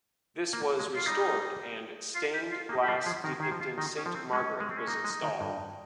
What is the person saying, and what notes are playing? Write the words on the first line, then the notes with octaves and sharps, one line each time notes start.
This was restored and stained glass depicting Saint Margaret was installed.
A#3
G#3
F4
G3 D#4
F4
G4
F4
A#3 D#4
G4
G3 F4
G4
F3 G#4
D#3 A#4
D#3 G#4
F3
F4
D#3 D#4
C#4
F3
C4
G#3 C#4
G#3
C4
C#4
A#3 D#4
G#3
D#3
G2